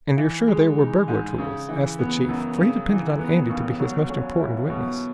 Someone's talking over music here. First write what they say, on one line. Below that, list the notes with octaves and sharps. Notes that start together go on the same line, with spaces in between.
"And you're sure they were burglar tools?" asked the chief, for he depended on Andy to be his most important witness.
E3
G#3
D#4
G#2
C#3
E3
B3
F#2
C#3
E3
B3
D#2
F#3
C#4
E4
B2